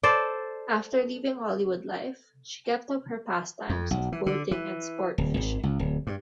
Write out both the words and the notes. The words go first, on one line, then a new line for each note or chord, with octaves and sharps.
After leaving Hollywood life, she kept up her pastimes of boating and sport fishing.
A4 C5 D5
F2
B1
E3
D3
E3
D1
G#1
C#2
D1
G2